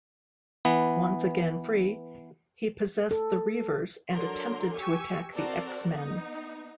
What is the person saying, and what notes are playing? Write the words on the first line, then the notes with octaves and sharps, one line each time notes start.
Once again free, he possessed the Reavers and attempted to attack the X-Men.
E3 B3
A4
D3 F#3 A#4 C6
G4 G#5 C#6 E6
C4 F#4 A4 A#4 C5 D5
B3 D#4